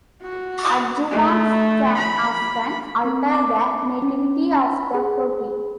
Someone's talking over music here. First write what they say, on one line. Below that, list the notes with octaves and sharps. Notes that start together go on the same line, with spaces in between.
Adjuvants can often alter the nativity of the protein.
F#4
A3
B5
C4
D6
C#4
B5
G#4